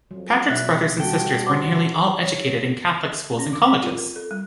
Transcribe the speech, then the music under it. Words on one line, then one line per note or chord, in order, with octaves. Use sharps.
Patrick's brothers and sisters were nearly all educated in Catholic schools and colleges.
F2 F#3
B2 A#3 E5 F#6
G3 F#4 A4 G5
C5 C#5 F#5 D6
C#5
C#4
D6
C4
F4
A#4
A4
G3